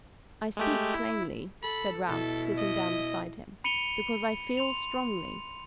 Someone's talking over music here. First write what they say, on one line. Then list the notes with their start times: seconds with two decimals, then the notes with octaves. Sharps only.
'I speak plainly,' said Ralph, sitting down beside him, 'because I feel strongly.
0.57 G#3 A3 G4
0.94 E4
1.63 A4 B5
2.08 B2 E4 A4
2.58 D#5
3.64 B5 C#7 D#7 F7 G7
4.57 C6 F7